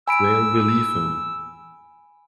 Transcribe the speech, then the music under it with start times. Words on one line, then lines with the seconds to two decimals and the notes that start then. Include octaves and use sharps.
They'll believe him.
0.08 G#5 B5 E6 D7